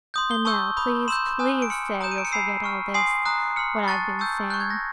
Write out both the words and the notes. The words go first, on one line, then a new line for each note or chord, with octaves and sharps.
And now, please, PLEASE say you'll forget all this--what I've been saying.
C6 D#6 G6
G7
A5 C#6 E6 G6 G7
B5 D#6 G6
C6 E6 G6 E7
G#5 C6 D#6 F#6
D7
C6 F6 C#7
A#5 D#6 G6 E7
D#7
D7
C#7
G#5 B5 E6 C7
C#6 F6
G#5 C6 D#6 C7
A#5 D#6 F#6
C6 F6 C#7
A5 C#6 F#6 A6
A5 C#6 E6 G6
C#6 F#6 G6
G#6
A#6